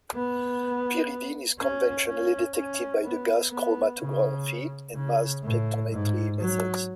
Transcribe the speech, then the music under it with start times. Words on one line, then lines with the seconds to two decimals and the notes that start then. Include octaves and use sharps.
Pyridine is conventionally detected by the gas chromatography and mass spectrometry methods.
0.15 B3
1.59 C#4
2.06 C#4
2.56 C#4
3.03 B3
3.51 B3
3.99 C#3
4.95 C#3
5.43 A2
5.92 G#2
6.39 F#3